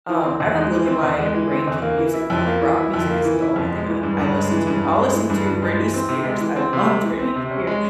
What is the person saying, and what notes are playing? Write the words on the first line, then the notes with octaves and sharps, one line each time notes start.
Um, I have a really wide range of music though, like rock music isn't the only thing I I listen to, I'll listen to Britney Spears, I love Britney Spears,
E3
C4
E2
G#3
E3
C4
E2
G#3
E3
C4
E2
A#3
E3
E4
F2
A#3
E3
E4
F2
A#3
E3
E4
F2
G#3
E3
G2
G2
G#3
E3
G2
G2
G#3
E3
G2
G2
G#3
E3
C4
C3
G#3
E3
C4
C3
G#3
E3
C4
C3
C#4
G#3